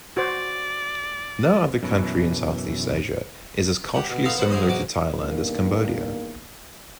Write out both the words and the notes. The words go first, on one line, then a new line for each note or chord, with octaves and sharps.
No other country in Southeast Asia is as culturally similar to Thailand as Cambodia.
F#4 C5 D5
F#2 B2 E3
G4 F#5
B2
B3 D#4 A4 F5 C6
B3 C5 F#5
G#2 E3 G#4 C5 D#5
B1 E2 G#2 F#4 D6
E2 G2 D#3 A#3